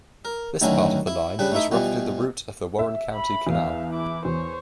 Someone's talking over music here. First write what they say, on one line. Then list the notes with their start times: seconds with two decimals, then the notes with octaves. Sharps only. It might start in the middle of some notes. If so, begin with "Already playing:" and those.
This part of the line was roughly the route of the Warren County Canal.
0.25 A#4
0.62 D2 D3 D#3 F#3 C#4 E4
1.07 E4
1.39 C#3 G3 D4 B4
1.52 A3 D#4 E4 E5
1.71 B2 E3 F3 G3
2.79 E5
3.14 B5
3.47 E2 E5 F5
3.91 E4 D6
4.25 E2 C5 C#5